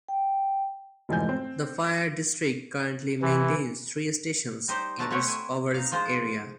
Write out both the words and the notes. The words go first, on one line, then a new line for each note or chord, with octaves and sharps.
The fire district currently maintains three stations in its coverage area.
G5
F1 G#2 E3 F3 G#5 G6
C4
C3 E3
G3 D#4 G4 C5
B2 A3 D4 A5 A#5
A3 C4 G4 C#5 F#5
E4 G#5
D#4 F5
F3 G#3 F4 C5